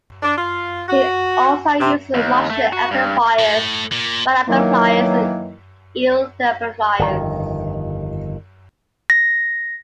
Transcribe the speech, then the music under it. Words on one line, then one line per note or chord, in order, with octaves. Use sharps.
He also uses Marshall Amplifiers, Rhino amplifiers and Engl amplifiers.
D4
F4
F#4
C3
D#2
A3
F#4
G2
A2 A3
A#2
D#3 E3 F#3 A#3
G1 F2 G#2 D#3
A#6